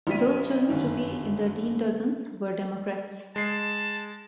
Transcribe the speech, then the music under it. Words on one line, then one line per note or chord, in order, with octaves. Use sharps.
Those chosen to be in the Dean Dozens were Democrats.
A#1 F4 G4 B6 D#7
G1 F#2 D#3
G#3 A5 C7